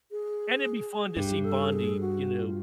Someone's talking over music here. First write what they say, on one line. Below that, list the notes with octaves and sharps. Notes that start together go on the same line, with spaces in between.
And it'd be fun to see Bondi, you know,
G#4
G2 G4
A4
G#4
F#4
F4